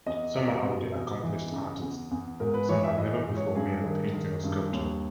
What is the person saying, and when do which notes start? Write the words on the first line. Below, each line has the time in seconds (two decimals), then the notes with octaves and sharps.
Some are already accomplished artists; some have never before made a painting or sculpture.
0.06 E2 D#5
0.36 B2
0.64 B2
0.94 E2
1.23 E3
1.52 C#3
1.81 E2
2.11 E2
2.40 G#2 A#4
2.54 B4
2.69 E3 C#5
2.83 E5
2.97 E3 D#5
3.27 G#2
3.36 C#5
3.55 G2 G#4
3.85 D#3
4.14 D#3
4.44 G2
4.73 D#2